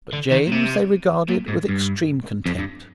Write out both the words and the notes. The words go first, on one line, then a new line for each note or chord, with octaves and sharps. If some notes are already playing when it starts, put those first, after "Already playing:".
But James they regarded with extreme contempt.
D3
D#3
A#2
C3
A#2
G#2
G2
F2
G2